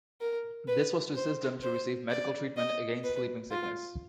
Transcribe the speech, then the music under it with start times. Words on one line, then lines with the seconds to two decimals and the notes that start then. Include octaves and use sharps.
This was to assist them to receive medical treatment against sleeping sickness.
0.21 A#4
0.68 B4
1.16 C5
1.62 C5
2.10 D5
2.57 D#5
3.04 B4
3.51 F4